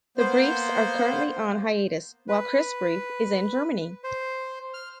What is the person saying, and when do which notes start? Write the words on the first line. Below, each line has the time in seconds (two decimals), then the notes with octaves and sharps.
The Briefs are currently on hiatus while Chris Brief is in Germany.
0.18 A#3 B3 C5
2.29 B4
4.04 C5
4.74 F6